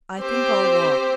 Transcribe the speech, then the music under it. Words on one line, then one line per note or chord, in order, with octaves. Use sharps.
"I think I'll walk."
C4 G4 C5